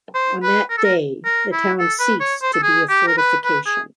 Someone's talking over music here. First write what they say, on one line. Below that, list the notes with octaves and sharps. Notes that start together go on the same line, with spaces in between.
On that day, the town ceased to be a fortification.
C5
B4
A#4
A4
A#4
A#4
E4
A4
B4
C#5
C5
A4
G#4
G4
A#4
B4
B4
G#4